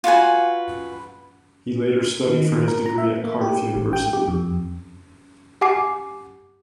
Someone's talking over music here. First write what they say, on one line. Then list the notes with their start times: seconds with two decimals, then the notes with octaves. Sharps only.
He later studied for his degree at Cardiff University.
0.04 F4 F#4 B4 G#5
2.28 D#3
2.68 A#4
2.86 A#5
2.98 E5
3.24 A#3
3.41 G4
3.76 A1
3.93 G5
4.13 G4
4.28 F2
5.61 G4 F#5 G#5 D6 C7